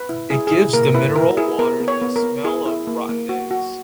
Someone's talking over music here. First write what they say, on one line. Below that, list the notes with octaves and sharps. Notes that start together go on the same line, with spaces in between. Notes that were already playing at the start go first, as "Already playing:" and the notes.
It gives the mineral water the smell of rotten eggs.
Already playing: B4
E4
E4 G#4
E4 G#4
A#3 A#4
E4 B4
E4 A#4
E4 G#4
B3 A#4
B3
C#5
B3
A#4
B3
E4 G#4
E4
A#3
A#3
F#4
F#4